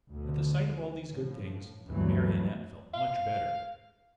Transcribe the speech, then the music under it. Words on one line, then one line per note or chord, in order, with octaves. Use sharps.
At the sight of all these good things, the Marionette felt much better.
D2 B2 D3
A2 F3
D2 G2 E3 F#3 A3 B3
F5